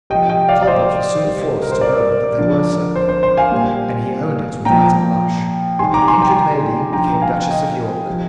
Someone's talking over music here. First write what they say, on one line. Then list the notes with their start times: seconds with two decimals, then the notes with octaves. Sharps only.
Talbot was soon forced to own that they were so; and he owned it without a blush. The injured lady became Duchess of York.
0.10 C3 F3 D#5 G5
0.29 D#5 G5
0.49 D5 F5
0.63 D5
0.67 C5 D#5
1.24 C3 G3
1.62 A#4
1.72 C5
1.81 A#4 D5
2.38 D3 F3
2.96 C5
3.09 C5
3.23 C5
3.37 F5 G#5
3.52 A#2 G3
4.65 A#2 F3 G5 A#5
5.79 C3 D#3 G3 G#5 C6
5.94 A#5 D6
6.08 G#5 C6
6.22 G5 A#5
6.93 D3 F3 G5 A#5
7.22 F5 G#5
7.50 D#5 G5
8.07 C3 F3